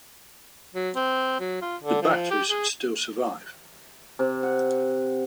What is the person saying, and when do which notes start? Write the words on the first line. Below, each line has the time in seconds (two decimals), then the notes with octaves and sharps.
The batteries still survive.
0.75 F#3
0.96 C4
1.40 F#3
1.62 F4
1.83 D3
2.02 F3
2.31 G4
2.50 G#4
4.19 C3
4.43 F#5